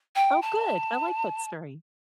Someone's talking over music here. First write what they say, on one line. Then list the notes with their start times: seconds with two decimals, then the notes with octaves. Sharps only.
Oh, good. I like that story.
0.16 G5
0.42 A5